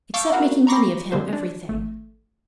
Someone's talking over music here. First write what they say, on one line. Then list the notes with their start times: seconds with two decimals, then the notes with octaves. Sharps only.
"Except making money of him--everything?"
0.14 F5 A5 C#6 D6 E6 G6
0.32 E4 F#4 A#4 F5 F#5
0.67 A#5 B5 C#6 D6 A#6 C7
1.12 D3 G3 G#3 A#3 C4 C5
1.33 D4
1.69 G#1 A3